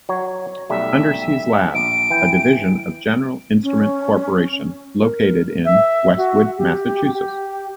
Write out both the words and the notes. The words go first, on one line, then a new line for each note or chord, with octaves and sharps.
Underseas Lab, a division of General Instrument Corporation, located in Westwood, Massachusetts.
F#3 C#5
B1 G3 A3 E5
A#1 D7
E3 G5
C#4
A#4
E5
F#4
G4
G4